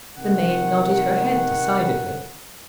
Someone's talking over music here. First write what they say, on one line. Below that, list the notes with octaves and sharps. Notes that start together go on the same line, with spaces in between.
The maid nodded her head decidedly.
C3 D#3 F#5